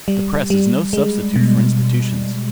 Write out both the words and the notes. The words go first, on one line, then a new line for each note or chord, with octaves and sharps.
The press is no substitute for institutions.
G3
G3
G#3
B2